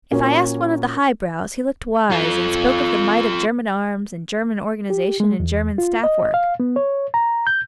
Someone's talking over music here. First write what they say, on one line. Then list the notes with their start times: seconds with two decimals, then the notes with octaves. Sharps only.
If I asked one of the highbrows he looked wise and spoke of the might of German arms and German organization and German staff-work.
0.12 A#2 A#3 C#4 F#4
2.11 F4 A4
4.90 G4
5.20 G#3
5.40 E2
5.78 F4
6.04 D#5
6.34 F5
6.60 B3
6.76 C#5
7.14 A#5
7.47 G6